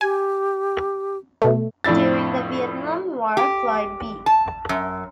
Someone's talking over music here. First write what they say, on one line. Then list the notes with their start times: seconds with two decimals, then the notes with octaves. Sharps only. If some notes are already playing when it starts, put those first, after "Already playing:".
During the Vietnam War, Floyd B.
0.01 G4 G#5
1.42 B2 A3
1.84 F2 A2 D4 E4 A6
3.37 G4
4.26 A5
4.69 F#2